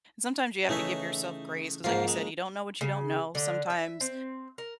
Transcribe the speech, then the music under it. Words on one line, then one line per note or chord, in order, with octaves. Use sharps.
Sometimes you have to give yourself grace, 'cause like you said, you don't know what you don't know, sometimes
C#3 E3 A3 D#4 E5
G#2 F3 A#3 F4 G5
G#3
C#3
D3
E5
C4
A#4